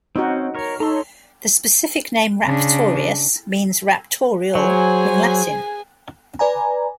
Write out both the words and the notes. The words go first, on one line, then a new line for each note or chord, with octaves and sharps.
The specific name "raptorius" means "raptorial" in Latin.
C4 C#4 D#4 F#4
A#4 C#5
D#4 A4 C#5 A#5 C6
C#3 D4
F#3 G#4 C5 G#5
B4 D5 G#5 A#5